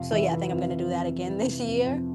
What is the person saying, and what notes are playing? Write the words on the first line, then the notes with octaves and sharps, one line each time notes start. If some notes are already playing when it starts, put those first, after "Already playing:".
So yeah, I think I'm gonna do that again this year,
Already playing: F2 C3 F5
E3 E5
E3
F2
E3
F2
E3
E3
C3
F2
F2